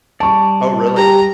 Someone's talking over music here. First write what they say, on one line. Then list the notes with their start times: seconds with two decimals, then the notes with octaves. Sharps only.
Oh, really?
0.20 G3 D5 A5 C#6
0.96 G4 A#5